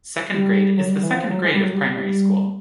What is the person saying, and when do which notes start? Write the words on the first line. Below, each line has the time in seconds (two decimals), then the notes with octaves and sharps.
Second grade is the second grade of primary school.
0.34 G3
0.77 F#3
0.89 G3
1.03 E3
1.16 F3
1.30 F#3
1.44 G#3
1.54 G3
1.64 F#3
1.74 G3